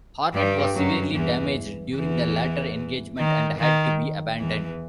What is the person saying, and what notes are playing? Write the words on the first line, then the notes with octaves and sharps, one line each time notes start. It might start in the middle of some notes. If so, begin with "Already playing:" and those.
"Hornet" was severely damaged during the latter engagement and had to be abandoned.
G2 G3
F#2 F#3
E2 E3
E2 E3
D#3
D#3
E2 E3